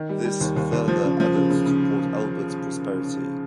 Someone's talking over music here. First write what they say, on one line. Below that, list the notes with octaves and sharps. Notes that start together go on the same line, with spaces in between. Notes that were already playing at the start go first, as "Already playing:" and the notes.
This further added to Port Albert's prosperity.
Already playing: D#3
G3
G3
D#2
D#2
D#2
F3
C#3
F3
C#3
C#3
C#3